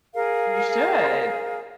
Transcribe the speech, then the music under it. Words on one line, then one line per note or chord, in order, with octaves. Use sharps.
You should.
G#4 A#4 F5